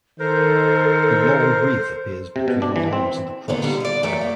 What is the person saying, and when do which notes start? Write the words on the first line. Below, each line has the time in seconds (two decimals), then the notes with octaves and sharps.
A laurel wreath appears between the arms of the cross.
0.20 D#3 A4 A#4 C5
2.36 C3
2.48 B2
2.62 D4
2.76 E3
2.93 C4
3.48 A#2 D3 D#3 A#3 B3
3.62 D3 D#3 G3
3.80 D5 D#5
4.03 F#2 E3 A3 E5 G5
4.21 A#3